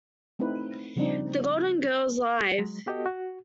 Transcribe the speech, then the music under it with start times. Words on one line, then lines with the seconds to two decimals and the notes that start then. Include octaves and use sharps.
The Golden Girls: Live!
0.39 A3 C4 D#4 E4 B4
0.96 C#3 F3 G3 C4 D4 D#4
2.58 F#3 G#3
2.86 B3 F#4 G4 A4 D#5
3.06 F#4